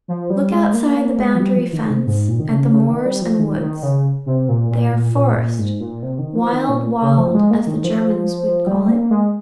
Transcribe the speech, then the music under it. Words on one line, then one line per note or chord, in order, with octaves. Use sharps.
Look outside the boundary fence, at the moors and woods; they are forest, Wild--"Wald," as the Germans would call it.
F3
G3
G#3
A#3
A#3
G#3
F3
G3
F3
D#3
C3
G#2
A#2
D#3
C#3
C#3
D#3
G3
F3
D#3
D#3
C#3
C3
A#2
A#2
A#2
A#2
A#2
G#2
A#2
C3
D#3
F3
D#3
A#2
C#3
F3
G#3
A#3
D#3
F3
G3
A#3
G#3